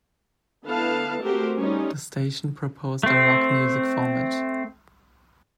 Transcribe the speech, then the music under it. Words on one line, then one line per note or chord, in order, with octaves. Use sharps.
The station proposed a rock music format.
D3 B3 E4 B4 F5 A5
A3 C4 F#4 G4 A#4 C5
G3 C#4 D#4 F4
A3 C4